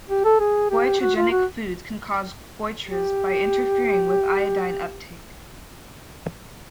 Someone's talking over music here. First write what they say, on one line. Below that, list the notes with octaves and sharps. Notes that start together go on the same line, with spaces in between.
Goitrogenic foods can cause goitres by interfering with iodine uptake.
G4
A4
G#4
G4
F#4
F4
F#4
G4